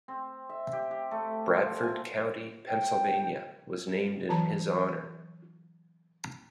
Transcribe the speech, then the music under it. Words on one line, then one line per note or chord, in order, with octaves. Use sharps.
Bradford County, Pennsylvania, was named in his honor.
C4
E5
G4
G4
A3
F3
G#5
G5
E3 F#3 A5 A#5